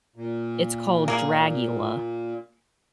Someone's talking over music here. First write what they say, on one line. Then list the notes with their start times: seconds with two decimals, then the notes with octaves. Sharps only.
It's called Dragula.
0.16 A#2
1.08 A#3 G#4